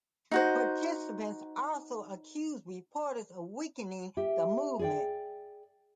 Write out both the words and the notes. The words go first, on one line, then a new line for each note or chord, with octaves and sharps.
Participants also accused reporters of weakening the movement.
D#4 F#4 C5
G4 E5
G#4 D5 G5